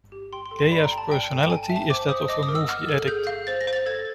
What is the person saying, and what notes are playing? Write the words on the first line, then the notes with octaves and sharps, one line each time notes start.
Gaea's personality is that of a movie addict.
G4
G5 C6
C6
A4
C6
D5 B5
A#5
G5
A5
D5 G5
A4
G5 G#5
A5
E5
A5
C5 D6
C5 D#6
D#5 D6
D#6
A#4
E6
F#5 F6
A4
G#4 G6
F5
C5 A6
A#6
C5
A6
A4 G#6